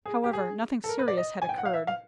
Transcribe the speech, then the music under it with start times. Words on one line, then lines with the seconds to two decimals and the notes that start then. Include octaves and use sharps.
However, nothing serious had occurred.
0.06 G#4
0.24 G4
0.33 G#4
0.84 A4
0.89 A#4
0.99 B4
1.08 D5
1.17 D#5
1.42 G#5
1.49 G5
1.58 F#5
1.65 F5
1.73 E5
1.87 F5